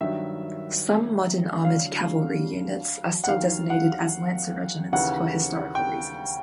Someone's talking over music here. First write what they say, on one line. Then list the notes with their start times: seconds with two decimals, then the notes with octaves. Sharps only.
Some modern armored cavalry units are still designated as lancer regiments for historical reasons.
0.01 G2 D#3 F#3 E5
1.64 D2 D3 F#3 F5
3.24 F#5
3.28 D#2 D#3 F#3 F5
3.70 F#5
4.92 D#2 C#3 E3 F#5
5.75 G5